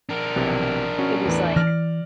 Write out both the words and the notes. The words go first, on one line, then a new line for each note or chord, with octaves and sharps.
it was like
D4 A#4
B1 C3 E3
C#4 F#4
E2 A2 E3
E3 D5 F6 A#6